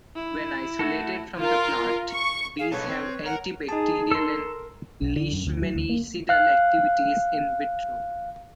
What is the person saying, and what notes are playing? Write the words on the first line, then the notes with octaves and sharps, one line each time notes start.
When isolated from the plant, these have antibacterial and leishmanicidal activities "in vitro".
E4
A3 F#4 A4
F4 A#4
C#6
G#4 F5
B2 B3 A4 B4 C#5
C4
A#4 F#5
D#4 G#4 A5
A4 A#4 C6
B1
D3
F#2
D2
F#3
D2
A#3
F5 F#6